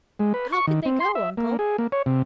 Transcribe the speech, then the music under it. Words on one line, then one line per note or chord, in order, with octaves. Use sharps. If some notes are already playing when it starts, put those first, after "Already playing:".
"How could they go, Uncle?"
G#3
B4
C#6
D#3
C4
C6
E5
A#3
G#4
A#3
C#5
C3